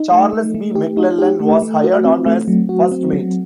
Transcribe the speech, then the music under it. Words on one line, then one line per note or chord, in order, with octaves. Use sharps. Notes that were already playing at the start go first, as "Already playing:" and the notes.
Charles B. McLellan was hired on as first mate.
Already playing: D#4
A3
A3
A3
G4
D#4
G4
A3
A3
F#4
C4
A3
F#3
F#4
C4
F#3